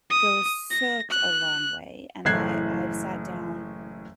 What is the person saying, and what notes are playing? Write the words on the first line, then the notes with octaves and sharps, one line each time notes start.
goes such a long way, and I I've sat down
D#6
A#6
F#6
F#1 A2 E3 F#6 G#6 C7